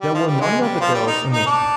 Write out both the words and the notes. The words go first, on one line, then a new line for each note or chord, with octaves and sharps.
There were nine other girls in it.
G3
F3
G3
G#3
G3
F3
G3
D#4
D#4
D4